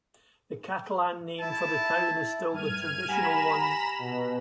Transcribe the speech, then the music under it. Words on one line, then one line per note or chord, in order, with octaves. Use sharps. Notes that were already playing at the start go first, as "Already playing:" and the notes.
The Catalan name for the town is still the traditional one.
E4 A5
G2 F6 G#6 D#7
G4 F#5 G#5 A#5 B5 E7
B2